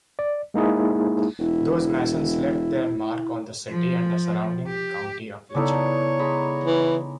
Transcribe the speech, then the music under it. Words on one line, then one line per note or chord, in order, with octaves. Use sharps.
Those masons left their mark on the city and the surrounding county of Letcher.
D5
G#3 A#3 D#4 E4 G#4
E1 E4
F3
G4
C#3 B3 D#4 E4 A4 C#5 D5
G#3 A#5 B5
E3